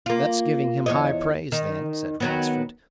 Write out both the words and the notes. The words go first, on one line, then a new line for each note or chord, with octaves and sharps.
"That's giving him high praise, then," said Ransford.
A#3 F4
E2 C#5 D#5
D#3
D#3 F#3 B3